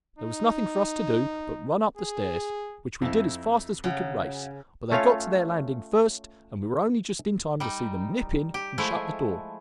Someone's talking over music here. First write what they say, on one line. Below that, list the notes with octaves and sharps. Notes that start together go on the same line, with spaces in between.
There was nothing for us to do but run up the stairs, which we did as fast as we could race; but they got to their landing first, and we were only just in time to see them nip in and shut the door.
D#4
G#4
F2 D#4 E4
C#3 F#3 F#5 A#5
A3 C#4 F4 C#5 F5
G3 D#4
G4
F3 G#3 A3 E4